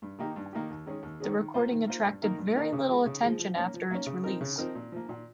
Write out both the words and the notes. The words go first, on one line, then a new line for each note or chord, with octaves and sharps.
The recording attracted very little attention after its release.
G2
D#3 A#3 D#4 G4
G2
D#3 A#3 D#4 G4
D#2
D#3 G#3 C#4 G#4
D#2
D#3 G#3 C#4 G#4
D#3
A#3 F4 C5
D#3
A#3 F4 C5
G2
D#3 A#3 D#4 A#4
G2
D#3 A#3 D#4 A#4
C#3
F3 G#3
C#3
F3 G#3
F3
A#3 C#4
F3
A#3 C#4
C#3
F3 C4 D#4 A#4
C#3
F3 C4 D#4 A#4
A#2
F3 A#3
A#2